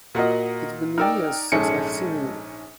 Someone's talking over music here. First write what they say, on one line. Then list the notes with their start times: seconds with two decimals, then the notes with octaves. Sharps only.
It's been years since I've seen you!
0.15 A#2 F#4 A#4 D#5 F#5
0.98 D#4 A#4 D5 G5 E6 F6
1.52 A#1 G#2 G#3 C#4 A4 C#7